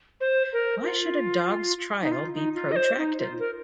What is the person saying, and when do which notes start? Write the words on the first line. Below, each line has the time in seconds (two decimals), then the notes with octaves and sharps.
Why should a dog's trial be protracted?
0.20 C5
0.53 A#4
0.84 F4
2.02 D#4
2.12 F4
2.34 D#4
2.55 F4
2.71 D#5
2.76 C5
2.98 D#4
3.18 F4
3.39 A#4